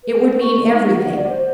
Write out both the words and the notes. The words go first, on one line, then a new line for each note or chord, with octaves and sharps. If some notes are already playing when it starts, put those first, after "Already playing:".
It would mean everything.
B4
G#4
C#6
D#4
F#5
D5
C5